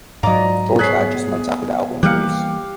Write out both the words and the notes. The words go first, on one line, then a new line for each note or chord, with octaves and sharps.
George died just months after the album's release.
G#2 F#3 F4 D5 D#5 A#5
D2 B3 G#4 C#5 F#6 B6 C7
E3 G3 A#3 G4 F5 F#6 C#7